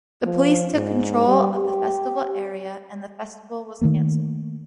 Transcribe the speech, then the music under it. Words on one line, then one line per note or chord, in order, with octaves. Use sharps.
The Police took control of the festival area and the festival was cancelled.
F3
G#2
G3
G4
D#3 F3 A3 A#3